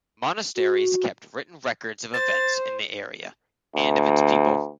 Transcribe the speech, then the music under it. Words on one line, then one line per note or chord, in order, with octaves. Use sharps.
Monasteries kept written records of events in the area and of its people.
F#4
C5 A6
D2